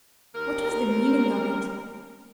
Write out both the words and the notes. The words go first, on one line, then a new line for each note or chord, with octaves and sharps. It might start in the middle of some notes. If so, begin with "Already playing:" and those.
What was the meaning of it?
D#2 A#4